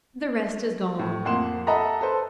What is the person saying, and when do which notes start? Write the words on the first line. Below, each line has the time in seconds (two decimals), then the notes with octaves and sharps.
The rest is gone.
0.99 A2
1.25 F2 A#3 F#5 C6 E7
1.67 A4 D#5 E5 F#5 A#5 B5
2.01 A4 B4 C5